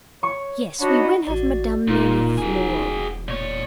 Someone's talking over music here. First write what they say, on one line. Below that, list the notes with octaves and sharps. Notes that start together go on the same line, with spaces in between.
Yes, we will have Madame Mirliflore.
C#5 C#6
D4 D#4 F#4 C#5 B5
A1 F#4 D5
E1 A#2 D#4 F4 A#4
F#4 G#4
A#2 C#5 D5